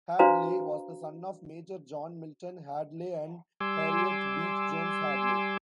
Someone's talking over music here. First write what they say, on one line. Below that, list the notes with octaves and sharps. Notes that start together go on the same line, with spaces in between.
Hadley was the son of Major John Milton Hadley and Harriet Beach Jones Hadley.
D4 F#4 B4 C5 F5 A#5
G3 G#5 C6 D6 E6